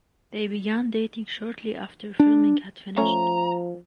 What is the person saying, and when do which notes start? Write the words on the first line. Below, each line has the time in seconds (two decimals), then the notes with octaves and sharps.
They began dating shortly after filming had finished.
2.20 D4
2.98 F3 A3 C#4 C#5 A#5